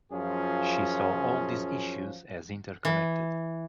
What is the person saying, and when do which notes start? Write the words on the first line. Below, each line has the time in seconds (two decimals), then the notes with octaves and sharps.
She saw all these issues as interconnected.
0.12 F#2 F3 C#4 F4 G#4
2.85 E3